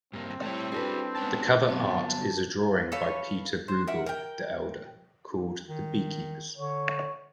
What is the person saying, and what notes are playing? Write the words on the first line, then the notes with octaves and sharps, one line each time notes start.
The cover art is a drawing by Pieter Bruegel the Elder called "The Bee-Keepers".
G2 A#3 C4
G3 A3 E4 C#5
D4 F#4 G#4 A4 B4
G#3 B3 C#4 D#4 A5
G2 D3 F#3 B3 C4 A5
A4 B4 C#5 F5
C5
A#4 E5 F#5
A#4 G5
D#3
D3 C#5